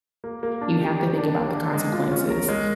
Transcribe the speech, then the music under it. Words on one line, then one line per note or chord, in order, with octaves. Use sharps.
you have to think about the consequences,
A#3
A#3
D4
G4
G4
D4
A#3
D4
G#3
F4
C#4
A#4
G#3